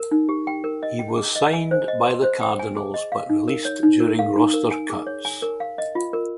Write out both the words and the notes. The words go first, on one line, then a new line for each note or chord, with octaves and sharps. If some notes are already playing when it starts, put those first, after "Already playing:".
He was signed by the Cardinals but released during roster cuts.
Already playing: A#4
D#4
G4
G5
A#4
D#5
G5
G#4
D#5
G#5
C5
D#5
C6
C5
G5
G#5
G#4
D#5
F5
D#4
A#4
C#5
D#4
A#4
F5
D#4
A#4
G#5
G#4
C#5
G#5
A#4
F5
D#5
F4
A#4